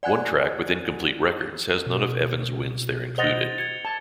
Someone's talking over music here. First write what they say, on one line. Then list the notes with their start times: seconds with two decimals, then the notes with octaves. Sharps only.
One track with incomplete records has none of Evans' wins there included.
0.03 D5 F#5 G#5 F#6 G#6
1.86 B2
3.18 C5 D#5 F#5 A6 F7 G7
3.58 G#6 C#7
3.85 A5